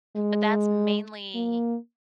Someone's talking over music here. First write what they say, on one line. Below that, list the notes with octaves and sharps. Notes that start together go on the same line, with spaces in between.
But that's mainly,
G#3
A#3